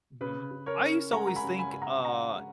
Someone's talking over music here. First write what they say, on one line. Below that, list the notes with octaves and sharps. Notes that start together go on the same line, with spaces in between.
Mhm. I used to always think, uh,
C#3 B4
C#3
A#4 C#5
C#4
G#3 F#5 A#5
A#5
G#5 B5
C#3
G#5 B5
C#3 B5
F#5 A#5
C#4 F#5 A#5
G#3